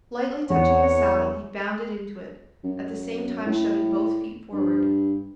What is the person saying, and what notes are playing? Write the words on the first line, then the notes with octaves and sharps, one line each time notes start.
Lightly touching the saddle, he bounded into it, at the same time shoving both feet forward.
E2 C#5 F#5
F#2
A2
G2